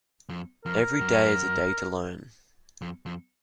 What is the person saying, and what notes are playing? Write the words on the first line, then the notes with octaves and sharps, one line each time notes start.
Every day is a day to learn.
F2
F2 A#4
F#2
F2
F2